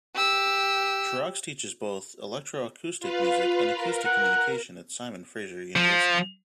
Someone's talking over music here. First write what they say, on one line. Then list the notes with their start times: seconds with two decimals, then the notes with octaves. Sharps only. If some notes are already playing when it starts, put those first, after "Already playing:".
Truax teaches both electroacoustic music and acoustic communication at Simon Fraser University.
0.15 G4 E6
3.00 F4 B4 F5
3.74 A#4
4.06 F#5
5.76 F3